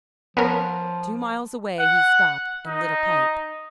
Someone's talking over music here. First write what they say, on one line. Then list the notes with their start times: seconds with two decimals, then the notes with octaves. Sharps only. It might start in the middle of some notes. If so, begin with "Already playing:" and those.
Two miles away he stopped and lit a pipe.
0.37 F3 B3 C#4 A#4
1.79 F#5
2.67 D#4